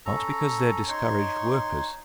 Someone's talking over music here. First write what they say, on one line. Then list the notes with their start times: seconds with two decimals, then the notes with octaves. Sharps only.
Not because they are discouraged workers.
0.06 C#4 A4 A#5
0.89 D#4 C#5 C6 C#6